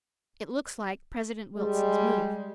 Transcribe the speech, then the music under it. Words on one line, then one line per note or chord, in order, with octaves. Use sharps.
It looks like President Wilson's move.
G3 G#3